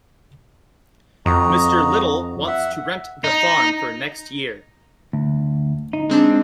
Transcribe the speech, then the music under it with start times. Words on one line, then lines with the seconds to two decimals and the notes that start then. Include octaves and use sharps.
Mr. Little wants to rent the farm for next year.
1.26 F2 F#4 D#5 A#5
2.48 E5 F#5
3.24 D#4
5.13 D2
5.93 D#4
6.09 G#3 C4 D4